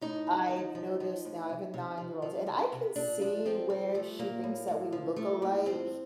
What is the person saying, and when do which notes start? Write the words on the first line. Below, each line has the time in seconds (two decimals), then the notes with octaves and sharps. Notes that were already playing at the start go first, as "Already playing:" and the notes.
I've noticed now I have a nine-year-old, and I can see where she thinks that we look alike,
0.01 A2 D#4
0.27 F3
0.50 F3
0.75 F3
1.00 F3
1.25 A2
1.49 C3
1.74 C3
1.97 F3
2.22 F3
2.47 C3
2.72 C3
2.96 A#2 D4
3.21 F3 D4
3.45 F3 C4
3.69 F3 C4
3.94 F3 A3
4.18 A#2 A#3
4.44 A2
4.68 A2
4.92 F3
5.16 F3 A3
5.42 A2 A#3
5.66 F3 C4